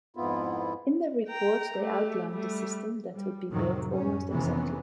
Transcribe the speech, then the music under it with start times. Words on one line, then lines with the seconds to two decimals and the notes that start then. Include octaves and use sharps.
In their report they outlined the system that would be built almost exactly.
0.16 F2 G#2 B3 E4 F4
1.28 G5 A#5
1.77 A3 G4
2.30 G3 A3
3.14 G3
3.50 F2 A2 C3 D#3 F#3
3.91 F#2 C#4
4.29 F1 C3 D#3 E3 B3 C#4